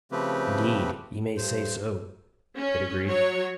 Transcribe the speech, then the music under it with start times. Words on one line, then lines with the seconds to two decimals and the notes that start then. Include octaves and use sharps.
"Indeed, ye may say so," Pitt agreed.
0.12 C#3 F3 A3 C4 G4 B4
1.37 G2 C5
2.56 C#4
3.06 F#3 C#5